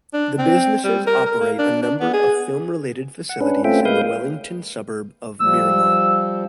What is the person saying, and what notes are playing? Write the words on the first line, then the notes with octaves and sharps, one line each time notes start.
The businesses operate a number of film-related facilities in the Wellington suburb of Miramar.
D4
C4
G3
A#4
A#4
A#3
D4
D4
B3
G#4
F#5
C#4 D4 B4
A3 C4 C#4 F4 E5 G5
G#3 A#3 B4 F5 D#6 G6
F3 G3 E6